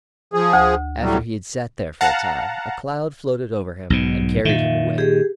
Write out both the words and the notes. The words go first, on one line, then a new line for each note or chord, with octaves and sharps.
After he had sat there for a time, a cloud floated over him, and carried him away.
F3 G#4
D2
A2 F#3 G3
F5 F#5 A5 A#5
B1 G#2 B2
A#2 D#3 E5 F5
G4 G#4